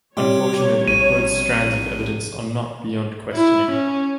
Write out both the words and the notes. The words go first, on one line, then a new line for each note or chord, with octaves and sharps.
Unfortunately, both strands of evidence are not beyond questioning.
C3 G3 C#5 G5 C6 D6
A#1 D#7
E4
C#4